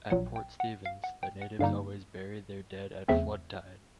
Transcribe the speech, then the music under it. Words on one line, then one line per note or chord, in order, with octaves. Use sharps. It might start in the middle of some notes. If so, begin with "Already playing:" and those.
At Port Stephens, the natives always buried their dead at flood tide.
A#1 A#2 F#3 F#5
G5
F#5
F5
F#5
G5
F#5
G2 D3 G3 A#3 D#4 F5
E2 C#3 F3 A3 C4 E5